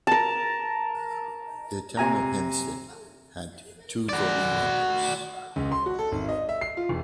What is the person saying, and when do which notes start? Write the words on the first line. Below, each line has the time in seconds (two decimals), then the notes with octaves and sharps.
The Town of Hempstead had two voting members.
0.07 A#4 A5
1.97 C3 G#5 A#5
4.09 F#4 D5
5.56 C#2
5.72 C6
5.86 F#4
5.99 A4
6.12 G#1
6.29 D#5
6.49 E5
6.61 C7
6.77 F4
6.89 E1